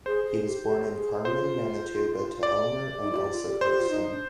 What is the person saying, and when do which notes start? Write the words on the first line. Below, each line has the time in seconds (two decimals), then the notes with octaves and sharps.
He was born in Carman, Manitoba to Elmer and Elsa Carson.
0.06 G#4 C5
0.26 G#4
0.46 G4
0.66 G4
0.90 G4
0.96 G#4
1.25 F4 C5
2.43 D5
3.02 D#4
3.11 F4
3.16 G4
3.32 F4
3.46 G4
3.61 G4 C5
3.80 F4
3.90 D#4
4.12 D4